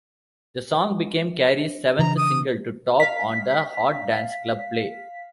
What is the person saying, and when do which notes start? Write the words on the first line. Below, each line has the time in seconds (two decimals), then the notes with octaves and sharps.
The song became Carey's seventh single to top on the Hot Dance Club Play.
1.99 C#3 E3 D4 A#5
2.17 D#6
3.00 F5 B6